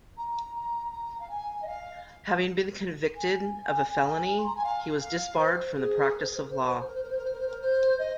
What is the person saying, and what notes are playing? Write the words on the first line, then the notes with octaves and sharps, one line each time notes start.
Having been convicted of a felony, he was disbarred from the practice of law.
A#5
A#5
A#5
F5
G#5
D#5
F5
G#5
C6
A#5
G#5
F5
F5
C5
G#4
A#4
C5
A#4
C5
A#4
C5
A#4
C5
A#4
C5
A#4
C5
A#4
C5
A#4
C5
A#4
C5
A#4
C5
D#5